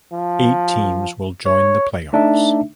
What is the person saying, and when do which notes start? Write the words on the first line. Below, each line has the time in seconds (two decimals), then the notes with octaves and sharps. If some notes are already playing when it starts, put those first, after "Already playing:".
Eight teams will join the playoffs.
0.13 F3
1.46 C#5
2.13 A3 D4 D#4 E5